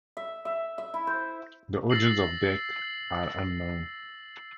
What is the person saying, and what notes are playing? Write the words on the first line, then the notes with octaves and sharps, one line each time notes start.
The origins of deq are unknown.
E5
E5
E5
E4
C5
E6 A6 A#6 C7 F#7